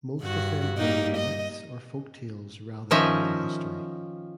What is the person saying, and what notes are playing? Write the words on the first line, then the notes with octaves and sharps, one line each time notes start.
Most of them are more myths or folktales rather than real history.
G2 F#4
G3 A#3 D#4
D#5
D#3 F3 C#4 D#5 E5